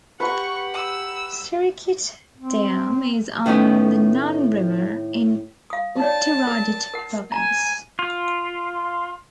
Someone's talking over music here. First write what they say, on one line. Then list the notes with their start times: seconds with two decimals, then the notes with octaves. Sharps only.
Sirikit Dam is on the Nan River in Uttaradit Province.
0.20 G4 B4 F#5 A#5 C#6
0.74 E6
2.38 C4
3.46 A2 D#3 B3 C#4
5.70 F5 D#6
6.00 D#4 C#5 D5 A5
6.47 A#4
6.94 A#4 F#5
7.32 G#5 A#5
7.99 F4